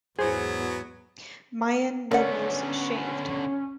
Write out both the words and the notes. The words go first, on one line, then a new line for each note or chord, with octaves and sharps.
Mayan nobles shaved.
E2 G#2 F#3 B3 E4 F#4 G#4 C5
D3 B3 C#4 A#4 D5 F#5